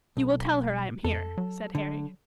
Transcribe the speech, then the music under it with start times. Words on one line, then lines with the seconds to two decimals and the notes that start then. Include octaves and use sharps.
'You will tell her I am here?' said Harry.
0.17 B1
1.05 F2 A4
1.38 F#3
1.75 D3